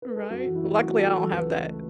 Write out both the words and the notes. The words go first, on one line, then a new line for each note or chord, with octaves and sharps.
Right. Luckily, I don't have that.
B4
A4
F#2 F#4
E3
E4
A3
F#2 F#4
F#2 A4
E3 A4
C#2 B4
C#3
A3